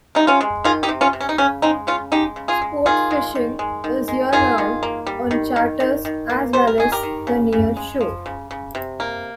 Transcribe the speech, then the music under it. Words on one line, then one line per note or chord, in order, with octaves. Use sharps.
Sport fishing is year-round on charters as well as the nearshore.
C3 D#4
C#4 F4
G#3
D#3 F4 G#4
D#4 G4
C3
C#4 F4
C3
C#4
D#4
C#3 C#4
G#3 C4 D#4
C#3 C#4 F4
G#3 D#4 G4
C#3
F4 G#4
G#3
D#3 F4 G#4
G#3
D#3
G#3
D#3
G#3
D#3 F4 G#4
D#3
A#3
G3
D#3
D#3
D#3
D#3
A#3
G3 C5
A#4
D#3 G#4
G4 A#4
D#3
C#3
C#3
G#3
F3
C#3
C#3
C3
A#3